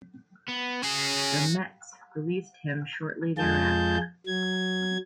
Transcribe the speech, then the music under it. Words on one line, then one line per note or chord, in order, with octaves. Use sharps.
The Mets released him shortly thereafter.
B3
C#4 F#4 G#4
F2 G#3 F4 G#4 A5 G6
F#3 G#6